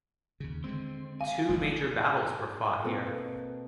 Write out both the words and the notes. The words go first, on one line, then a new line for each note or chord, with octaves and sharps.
Two major battles were fought here.
D#2 C#3
D3 G#3 C4
F5 G#5
F#1 D2 C#3 G#3 D#4
B2 A#3 C4 A4